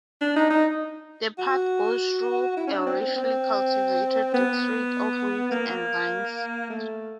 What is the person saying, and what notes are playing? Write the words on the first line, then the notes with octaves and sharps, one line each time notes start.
The path goes through a richly cultivated district of wheat and vines.
D4
D#4
D#4
F#4
E4
C#4
D4
C4
C4
C4
B3
A#3
A3